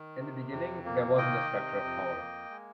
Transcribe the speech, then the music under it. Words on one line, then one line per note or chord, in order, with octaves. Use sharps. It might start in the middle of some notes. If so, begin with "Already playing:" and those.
In the beginning, there wasn't a structure of power.
Already playing: D#3
C3
F2
A#3
D#3 D#5 G5
C3
F2
A#3
G#3